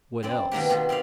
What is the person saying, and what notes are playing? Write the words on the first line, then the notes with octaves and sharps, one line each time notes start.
What else?...
F#2 C4 D5
B2 D#3 A#3 G4
B2 D#3 F4 G4
C4 G4 D5 F5